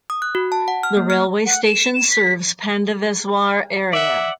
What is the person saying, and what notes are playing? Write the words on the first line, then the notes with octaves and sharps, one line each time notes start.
The railway station serves Pandaveswar Area.
D#6
F#6
F#4
A5
F#5
F6
A#3
F6
F#5
E7
E7
B6
D5 E5 F#5